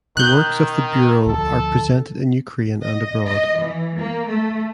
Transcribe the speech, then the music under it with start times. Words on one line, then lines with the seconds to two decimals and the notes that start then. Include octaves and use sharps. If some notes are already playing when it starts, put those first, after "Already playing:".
The works of the bureau are presented in Ukraine and abroad.
0.17 B2 D#3 F#6 G6
1.27 D2 D3 F3 A4
2.83 D#5
3.24 D#5
3.58 E3
3.97 A#3
4.26 A3